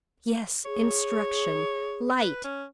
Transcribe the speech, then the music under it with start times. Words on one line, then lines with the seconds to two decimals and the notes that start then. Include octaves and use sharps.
Yes, instruction! light!
0.65 G#4 C#5
2.20 B4
2.44 C#4